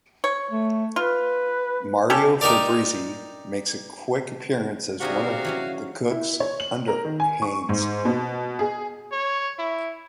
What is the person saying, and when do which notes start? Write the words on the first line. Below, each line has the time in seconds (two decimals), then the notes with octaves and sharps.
Mario Fabrizi makes a quick appearance as one of the cooks under Haines.
0.24 C#5
0.51 A3
0.96 F4 B4
2.10 C#4 G4 A4
2.41 D#4 G4 A#4 D5
5.00 C3 D4 D#4 F#4 G#4 F5
5.44 E3 F#3 C#4
6.11 E4
6.40 C#5
6.60 F#7
6.88 A#4
7.05 D#3
7.20 G#5
7.42 C#6
7.69 G#2
8.05 B2
8.59 G#4
9.12 C#5
9.58 E4